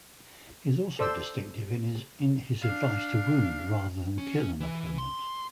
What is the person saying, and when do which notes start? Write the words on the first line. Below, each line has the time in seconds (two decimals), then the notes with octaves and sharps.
He is also distinctive in his advice to wound rather than kill an opponent.
0.99 A4 C5 D5 E6
2.62 D4 F5
4.18 C#4
4.60 E3
4.98 C6